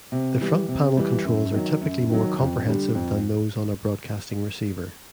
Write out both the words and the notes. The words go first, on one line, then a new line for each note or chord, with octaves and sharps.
The front panel controls are typically more comprehensive than those on a broadcasting receiver.
C3
E3 G3
C3
E3 G3
F#2
D#3 F#3
F#2
D#3 F#3
F2
D3 G3
F2